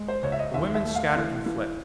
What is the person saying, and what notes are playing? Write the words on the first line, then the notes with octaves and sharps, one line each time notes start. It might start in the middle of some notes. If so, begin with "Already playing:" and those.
The women scattered and fled.
Already playing: G#3
C5
C#2 C#5
E5
D#5
D#2 E5
E5
A3
F5
E3
E3